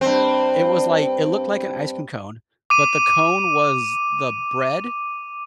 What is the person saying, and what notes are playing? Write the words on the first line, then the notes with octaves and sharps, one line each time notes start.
it was, like it looked like an ice cream cone, but the cone was the bread,
G2 C4
D6 D#7